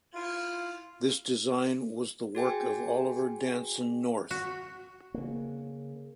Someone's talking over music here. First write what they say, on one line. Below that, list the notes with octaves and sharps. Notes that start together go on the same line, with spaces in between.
This design was the work of Oliver Danson North.
E4 F4
F#4 G#4 G5 G#5
F#4
C#3 A#3